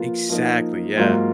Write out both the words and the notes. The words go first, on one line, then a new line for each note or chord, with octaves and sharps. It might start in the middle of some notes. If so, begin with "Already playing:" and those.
Exactly, yeah.
Already playing: F3 A#3 F4 B4
F3 A#3 D#4
G#2 F#3 A#3 F4